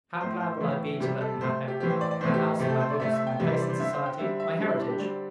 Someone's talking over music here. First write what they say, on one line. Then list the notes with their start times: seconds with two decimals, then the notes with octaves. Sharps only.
How glad will I be to let them have everything,--my house, my books, my place in society, my heritage!
0.21 A2 A3 C4 C5
0.41 C5
0.60 A2 E3 A3 E4
1.00 C3 G3 C4 G4
1.21 A4
1.40 C3 A3 C4 C5
1.68 G4
1.80 A2 E3 C4 G4
1.90 C5
2.01 D5
2.11 D5
2.21 A2 E3 A3 C4 C5
2.34 G4
2.60 C3 A3 C4 G4
2.70 A4
2.81 C5
2.90 D5
3.00 C3 A3 C4 E5
3.14 E5
3.27 G5
3.39 C3 E3 G3 C4 E5
3.50 C5
3.60 D5
3.70 C5
3.79 D3 C4 E5
3.93 C5
4.06 G5
4.19 D3 G3 C4 E5
4.40 E5
4.59 D3 G3 C4 D4
4.69 E4
4.80 D4
4.89 G4
4.99 D3 G3 C4 D5